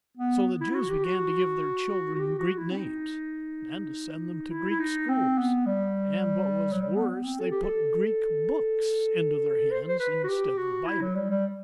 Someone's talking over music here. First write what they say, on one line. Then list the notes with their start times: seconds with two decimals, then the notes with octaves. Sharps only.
So the Jews began to give their children Greek names, and to send them to Greek schools, and, what was worse, they put Greek books into their hands instead of the Bible.
0.17 B3
0.61 E4
0.71 E4
0.75 F#4
0.89 G4
1.04 F#4
2.15 F#4
2.19 G4
2.38 F#4
2.58 E4
2.71 C4
2.77 D#4
4.50 E4
4.70 E4
4.79 D#4
5.09 C4
5.38 B3
5.66 G3
6.72 F#3
6.82 G3
6.96 B3
7.11 B3
7.25 C4
7.40 A4
7.51 G4
7.63 A4
9.71 C5
9.88 C5
9.99 B4
10.24 F#4
10.28 G4
10.57 F#4
10.86 E4
11.01 F#3
11.15 G3
11.30 G3